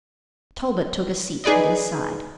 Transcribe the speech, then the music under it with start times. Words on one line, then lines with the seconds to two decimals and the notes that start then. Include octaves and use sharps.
Talbot took a seat at his side.
1.44 D#4 G#4 B4 D5 D#5